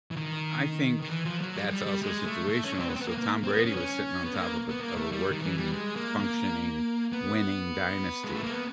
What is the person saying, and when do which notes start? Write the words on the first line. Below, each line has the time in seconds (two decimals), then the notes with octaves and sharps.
I think, that's also situational, so Tom Brady was sitting on top of a of a working, functioning, winning dynasty.
0.11 E3
0.16 D#3
1.01 D#3
1.10 E3
1.25 F3
1.41 F#3
1.57 G3
1.66 G#3
1.71 G3
1.86 G3
2.02 G#3
2.26 A3
2.49 A3
2.64 C#4
2.75 C#4
2.80 C4
2.90 B3
2.96 C4
3.02 B3
3.07 A#3
3.18 A#3
3.44 C4
3.53 B3
3.65 C#4
3.76 C#4
4.25 B3
4.34 A#3
4.69 B3
4.81 A#3
4.97 A3
5.12 G3
5.30 D#3
5.42 E3
5.57 G3
5.73 G#3
5.96 A#3
6.20 A#3
7.13 B3
8.24 G#3
8.33 A3
8.43 A#3
8.51 B3